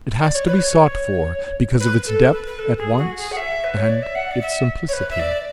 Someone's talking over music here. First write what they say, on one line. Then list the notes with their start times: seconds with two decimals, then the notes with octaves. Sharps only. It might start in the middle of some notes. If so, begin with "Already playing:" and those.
It has to be sought for because of its depth at once and its simplicity.
0.23 D5
0.35 C#5
0.46 B4
0.58 C#5
1.80 B4
2.06 A4
2.32 B4
2.46 B4
2.59 A4
2.78 G#4
2.97 F#4
3.17 G#4
3.31 F#5
3.37 E5
3.64 B4
3.77 C#5
3.89 D5
4.03 E5
4.15 F#5
4.31 D5
4.41 E5
4.88 C#5
4.93 B4
5.10 E5
5.19 D5